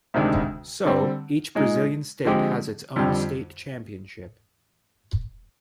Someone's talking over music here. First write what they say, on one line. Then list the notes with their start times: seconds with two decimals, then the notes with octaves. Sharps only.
So, each Brazilian state has its own state championship.
0.14 D2 C3 D#3 G#3 D4
0.85 D3 G3 C4
1.55 A#2 G#3 D#4
2.25 D3 F3 G#3 C4 G4
2.96 F2 D3 G3